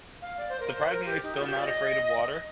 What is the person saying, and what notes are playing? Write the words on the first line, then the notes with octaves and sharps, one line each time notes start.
surprisingly still not afraid of water.
F5
D5
C5
A#4
C5
A#4
G4
D#4
G4
F4
G4
D5
D#5